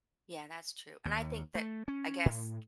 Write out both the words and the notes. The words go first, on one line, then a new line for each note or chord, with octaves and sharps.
Yeah, that's true. And I think that, I guess,
D#2
A3
C#4
A2